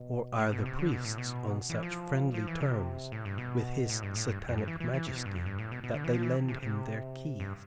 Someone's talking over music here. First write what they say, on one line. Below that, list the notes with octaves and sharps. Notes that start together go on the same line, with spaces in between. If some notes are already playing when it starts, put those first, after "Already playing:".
Or, are the priests on such friendly terms with his satanic majesty that they lend him their keys?
Already playing: B2
A2
B2
C3
D3
B2
A2
B2
E3
F3
F3
E3
C3
A2
G2
B2
A2
G2
A2
G2
F2
G2
E3
E3
E3
C3
B2
G2
F2
G2
A2
B2
B2
D3
E3
F3
E3
C3
C3
G2